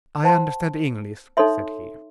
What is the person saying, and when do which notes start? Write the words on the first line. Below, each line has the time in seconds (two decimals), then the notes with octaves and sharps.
"I understand English," said he.
0.23 C5 F#5 A5 C6
1.37 D#4 A4 C#5 E5 C6